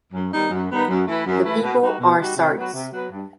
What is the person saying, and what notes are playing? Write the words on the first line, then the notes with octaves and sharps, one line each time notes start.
The people are Sarts.
F#2
D#3 G3 B3 D#4
F#2
D#3 G3 B3 D#4
F#2
E3 A3 E4 B4
F#2
E3 A3 E4 B4
B2
G3 D#4 F#4
B2
G3 D#4 F#4
C3
F#3 B3 F#4 B4
C3
F#3 B3 F#4 B4
G2